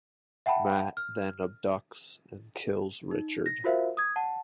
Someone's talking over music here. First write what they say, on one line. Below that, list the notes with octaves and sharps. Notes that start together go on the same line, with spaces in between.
Matt then abducts and kills Richard.
E5 F#5 G5 A5 B5
F6
D#4
A#6
F4 F#4 A#4 C5 E5 F5
D#6 G#6
F#5 A5